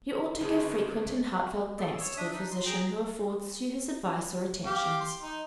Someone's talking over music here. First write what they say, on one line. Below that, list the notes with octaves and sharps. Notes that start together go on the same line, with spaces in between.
You ought to give frequent and heartfelt thanks to the physician who affords you his advice or attentions.
G1 C#3 G#3 A3 G#4 B4
G#4 A4 D5
C#5 E6
D4 E5 D#6
D4 D#4
C6
G#4 G5 A#5
G4 F5 D6
C6
D#4